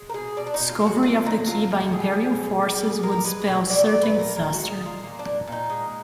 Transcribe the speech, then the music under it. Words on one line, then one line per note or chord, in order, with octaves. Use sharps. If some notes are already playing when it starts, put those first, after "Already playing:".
Discovery of the key by Imperial forces would spell certain disaster.
Already playing: G#3
A#4
B2 G#4
B2 D5
D4
B2 D#4
F4
G#3 F#4
F#3 F4
D3 D#4
F#3 F4
D3 G#4
F#4
F#3 G#4
F#3
B2
G#3
G#3
G#3 A#4
G#3 B4
B2
A#2 D5
D5
A#2
B4
A#2 A#4
A#2 A#4
F#4
G#3
D#4
A#2
F4
A#2 A#3
D4
A#2
A#2 D#4
G#3